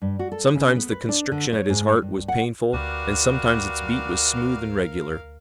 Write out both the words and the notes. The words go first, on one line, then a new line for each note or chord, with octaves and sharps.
Sometimes the constriction at his heart was painful, and sometimes its beat was smooth and regular.
G2
F#4
A4
C#3
B3
B4
D4
D3
C#5
G#2
G2
F#5
D2 F#4 G4 A#4 B4 D5 F5